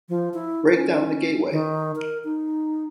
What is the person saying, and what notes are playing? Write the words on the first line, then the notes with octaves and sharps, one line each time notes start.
Break down the gateway!
F3
E4
C#4
D#3
A#4
D#4